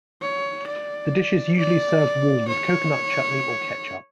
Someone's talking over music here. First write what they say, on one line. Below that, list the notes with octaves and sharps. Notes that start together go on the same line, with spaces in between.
The dish is usually served warm with coconut chutney or ketchup.
C#5
D5
D5
C#5